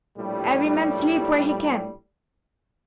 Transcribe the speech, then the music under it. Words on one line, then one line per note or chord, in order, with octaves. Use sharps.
'Every man sleep where he can.
A#1 A2 G3